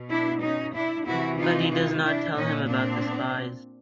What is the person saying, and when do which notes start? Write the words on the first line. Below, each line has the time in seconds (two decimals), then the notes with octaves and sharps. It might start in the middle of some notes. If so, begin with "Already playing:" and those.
But he does not tell him about the spies.
Already playing: B2
0.09 D4 E4
0.42 C#4 D#4
0.75 D4 E4
1.06 C3 E3 E4 F#4
1.39 D#4 F4
1.71 D#4 F4
2.03 D4 E4
2.36 A#2 C#4 D#4
2.68 C4 D4